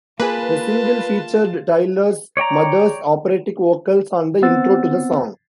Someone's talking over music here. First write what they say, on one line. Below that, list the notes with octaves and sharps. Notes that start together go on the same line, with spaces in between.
The single featured Tyler's mother's operatic vocals on the intro to the song.
A#3 F4 G#4 B4 A5
C#5 D5 G5 A#5
B3 C4 C5 F#5 E6 A6